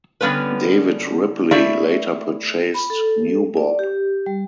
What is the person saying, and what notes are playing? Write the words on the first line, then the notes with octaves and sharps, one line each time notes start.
David Ripley later purchased New Bob.
D3 G3 B3 C#4 B4
A3 E4 D5 E5
B5
A4
D5
G4
G3